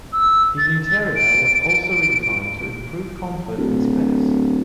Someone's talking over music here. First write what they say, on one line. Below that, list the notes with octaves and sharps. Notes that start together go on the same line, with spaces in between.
The interior was also redesigned to improve comfort and space.
E6
A6
D7
D1